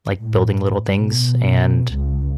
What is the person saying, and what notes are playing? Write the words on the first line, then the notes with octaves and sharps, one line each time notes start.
like, building little things, and
A2
B2
C#2